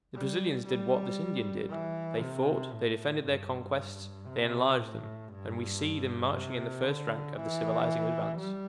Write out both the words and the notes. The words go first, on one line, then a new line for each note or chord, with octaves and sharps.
The Brazilians did what this Indian did: they fought, they defended their conquests, they enlarged them, and we see them marching in the first rank of the civilizing advance.
G3
G3
E3
C3
A2
G2
C3
A2
G2
C3
D3
E3
G3